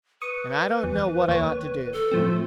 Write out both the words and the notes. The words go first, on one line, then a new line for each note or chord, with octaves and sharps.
And I don't know what I ought to do.
B4 C#6 D#6
E2
D#2 C#5
A4
A2 F3 C4